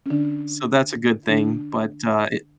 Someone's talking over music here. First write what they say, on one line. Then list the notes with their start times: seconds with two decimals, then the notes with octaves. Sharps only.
so that's a good thing, but, uh, it
0.06 C#4
0.10 D3 D4
1.29 D3 D4